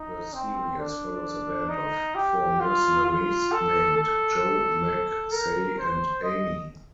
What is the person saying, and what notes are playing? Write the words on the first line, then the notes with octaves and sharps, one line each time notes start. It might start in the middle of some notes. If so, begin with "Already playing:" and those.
The series follows a band of four mercenaries, named Jo, Meg, Sei, and Amy.
Already playing: D#4
C4
D4
D#4
G4
F4
F4
A4
A4
A#4
C5
D#5